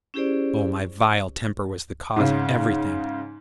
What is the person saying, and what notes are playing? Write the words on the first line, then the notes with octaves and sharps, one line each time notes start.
Oh, my vile temper was the cause of everything!
C#4 E4 G4 G#4 C5 D5
G#2 C#3